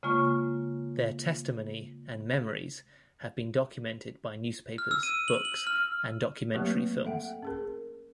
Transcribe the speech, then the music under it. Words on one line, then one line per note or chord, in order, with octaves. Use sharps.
Their testimony and memories have been documented by newspapers, books, and documentary films.
C#3 G#3 A#3 F4 C#6
F6
E6
D#7
F#7
F#7
F6
F#3 A3 A#3 C4 G4 B4
A4 E5 F#5 G5
C#4 G#4 A#4